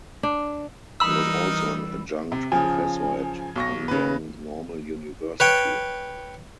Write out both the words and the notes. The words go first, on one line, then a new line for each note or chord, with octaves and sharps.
He was also an adjunct professor at Anyang Normal University.
D4
E3 G3 D#4 A#4 B5 E6
C3
C#3 F3 G#5
B1 C#6 A#6
C#3 B4
B4 C#5 G5